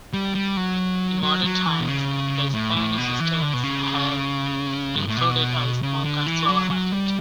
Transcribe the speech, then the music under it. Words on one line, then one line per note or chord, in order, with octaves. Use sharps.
In modern times the Spanish Steps have included a small cut-flower market.
G3
G3
F#3
F#3
F#3
E3
B2
C#3
A2
A2
B2
E3
D3
B2
C#3
G2
A2
B2
C#3
D3
E3
F#3
F#3
G3